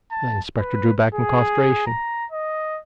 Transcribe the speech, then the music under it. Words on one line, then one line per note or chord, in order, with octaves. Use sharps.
The inspector drew back in consternation.
A5
B4
G#4
A#5
D#5